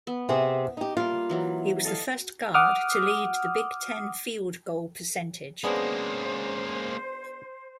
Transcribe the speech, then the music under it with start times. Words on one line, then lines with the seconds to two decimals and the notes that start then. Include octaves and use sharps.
He was the first guard to lead the Big Ten field goal percentage.
0.07 B3
0.29 C3 C4 G#4
0.77 D#4 G4
0.97 G3 A#3 F4
1.29 E3 F#3 E4
1.85 A4 D#5 F5
2.54 F#5 D6 D#6 F6
5.64 C#3 G#3 A#3 B3 D4 G#4 C5